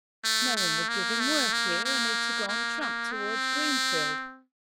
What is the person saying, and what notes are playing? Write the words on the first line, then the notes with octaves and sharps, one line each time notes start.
No one would give him work here, and he'd to go on tramp toward Greenfield.
A3
A3
A#3
A3
A#3
A#3
A#3
A#3
C4